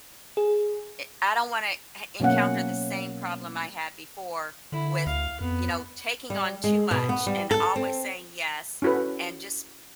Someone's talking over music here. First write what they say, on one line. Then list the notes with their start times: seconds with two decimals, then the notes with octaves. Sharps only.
i I don't wanna heh encounter the same problem I had before with, you know, taking on too much, and always saying, "Yes." And just,
0.37 G#4
2.20 B2 F#3 A#3 C#4 F#5
4.72 D3 E4
5.06 D2 F5
5.41 F2 B3
6.30 G3
6.64 G#3
6.91 B2
7.09 B3
7.27 G3
7.51 A4
7.76 C4
8.82 C#4 E4 F#4 A4 B4